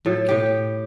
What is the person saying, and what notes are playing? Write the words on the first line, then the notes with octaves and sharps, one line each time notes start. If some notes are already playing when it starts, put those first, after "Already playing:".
Dear Katie!
A2 A4
A2 G4